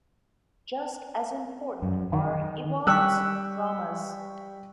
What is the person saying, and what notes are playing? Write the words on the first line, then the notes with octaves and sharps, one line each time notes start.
Just as important are Ewald's "dramas".
F#2
D#3
G3 G5 C#6 E6 F#6 B6